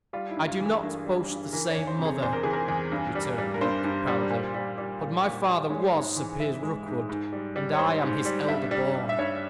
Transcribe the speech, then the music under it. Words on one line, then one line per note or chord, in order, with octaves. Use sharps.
"I do not boast the same mother," returned Luke, proudly, "but my father was Sir Piers Rookwood, and I am his elder born."
G3 F4
E4
G2
F4
E3
G#4
G2 A#4
G3
G2
E3 A#4
C#5
E2
C5
C3
G#4
E2 C5
A#4
E3 G#4
A#4
E2
G2
G3
G3
A#4
G2 C5
G2
G3
A#2
G3
G3
A#2
A#2
G3
G#3 C#5
C5
G#2 C#5
E3
G#2 E5
G#3
G#2
G#2
G3
G3
C#5
G#2 C5
G#2
G3
G2 E5
G3
G3
E5
G2 C#5